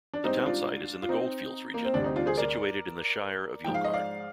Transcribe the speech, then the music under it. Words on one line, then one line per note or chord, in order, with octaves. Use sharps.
The townsite is in the goldfields region, situated in the Shire of Yilgarn.
D4
G#2 G3 C4 D#4
D4 F4
F4
C4 D#4
A#3
C4
D2 C3 G3 D4
C4 D#4
D4 F4
G#4 C5
A#4 D5
G#2 F3 G#3 G5
F5
D#5
D5 F5